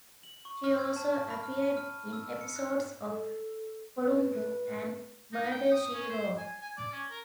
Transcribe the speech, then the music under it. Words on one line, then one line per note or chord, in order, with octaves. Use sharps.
She also appeared in episodes of "Columbo" and "Murder She Wrote".
F#7
C#6
F6
G#6
A5
B5
F6
D#7
F6
E6
C#7
F#6
A4
B4
D#4
G5
D#6
C#4
C5
G#5
G#5
D5
C#4
A#4